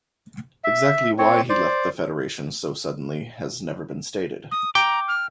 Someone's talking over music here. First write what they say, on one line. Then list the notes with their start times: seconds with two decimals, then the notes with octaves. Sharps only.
Exactly why he left the federation so suddenly has never been stated.
0.64 E5
1.18 C4 C#5
1.49 C5 D5
4.51 D#6
4.75 G5 A#5 D6
5.08 F6